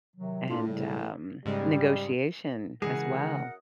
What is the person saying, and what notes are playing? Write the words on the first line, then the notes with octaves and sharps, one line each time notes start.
and, um, negotiation as well.
C3 D#3 F#3
A2 D4 E4 F4
C#3 G3
G#2 C#3 G3 G#3
F#2 C#3 E3 G#3 G#4 A#4 F#5